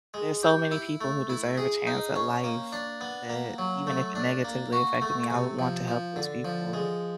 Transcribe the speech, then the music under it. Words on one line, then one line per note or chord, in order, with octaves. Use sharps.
there's so many people who deserve a chance at life that even if it negatively affected me, I would want to help those people.
G#3
G4
E4
A3
E4
G#4
D#4
C#4
A#3
D4
B3
A#3
F#3
A3
D4
A#3
F#4
A3
C3
F3
F3
D3
F3
G#3